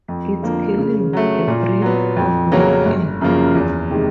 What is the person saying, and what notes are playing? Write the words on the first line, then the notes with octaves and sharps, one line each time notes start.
It’s killing, a breath of night air!
F2
D3 F3 A#3
C#3
F#3 A3
A#2
F#3 B3
F2
C#3 F#3 A#3 C#4
G1
F#2 C#3 F3 A#3
E2
C3 D#3 G#3